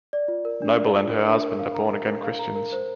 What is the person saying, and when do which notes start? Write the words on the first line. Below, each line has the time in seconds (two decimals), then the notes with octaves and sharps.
Noble and her husband are born again Christians.
0.13 D5
0.28 F4
0.45 A#4
0.62 D4
0.78 D5
0.94 F4
1.11 A#4
1.27 D4
1.43 A#4
1.59 F5
1.75 A#5
1.92 A#4
2.07 A#4
2.23 F5
2.39 A#5
2.56 A#4
2.72 C5